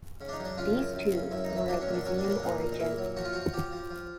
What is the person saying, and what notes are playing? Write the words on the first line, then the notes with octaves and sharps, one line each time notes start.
These too, were of museum origin.
C#3
D4
D#4
F#2
D4
C#3 F4
F#2
F#2
C#3
F#2 E4
D#4
E3
E4
F#3 D4
C#4
A#2
D4
F#3 C#4
D4
A#2
D4
A#2 D#4
A#2
D#4
A#2 E4
F#3
F3 F#4
F4
F3 F#4
F3 G4
F3
F3